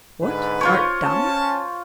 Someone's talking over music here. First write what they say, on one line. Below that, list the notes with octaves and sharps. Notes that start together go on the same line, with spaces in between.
What, art dumb?
G#2 D3 B4
F4 C5 C#5
C#4 A5